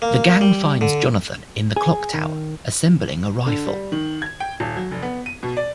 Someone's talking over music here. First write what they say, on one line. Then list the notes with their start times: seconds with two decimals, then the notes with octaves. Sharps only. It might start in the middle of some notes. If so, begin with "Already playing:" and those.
The gang finds Jonathan in the clock tower, assembling a rifle.
0.02 A#3
0.41 G3
0.81 D3
1.76 G#4
2.14 D#3
3.46 D3
3.66 G3
3.92 D#3
4.22 G#6
4.40 G5
4.60 D#1
4.76 F#3
4.91 F1
5.02 B3
5.26 D#7
5.43 B2
5.57 D5